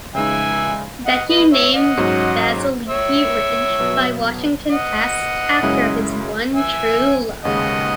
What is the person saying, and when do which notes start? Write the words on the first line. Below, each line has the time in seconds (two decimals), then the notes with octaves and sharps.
Beckey named Vasiliki Ridge, by Washington Pass, after his one true love.
0.15 C#3 G#3 D#4 E5 G#5
1.06 D#5 F#5
1.28 B4 D#5
1.52 C#5 E5
1.74 D#5 F#5
1.97 G#2 F#3 C#4 F#4
2.89 C#5 E5
3.80 B2 F#3 B3
4.71 D#5 F#5
5.62 F#2 C#3 G#3 C#4 E4
6.53 E5 G#5
7.44 D#2 C#3 G#3 D#5 F#5